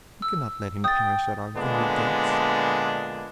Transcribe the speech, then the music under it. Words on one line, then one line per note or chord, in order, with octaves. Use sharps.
We cannot let him perish at our very gates.
E6
G5 D#6 A6
A#2 D3 G#3 B3 D4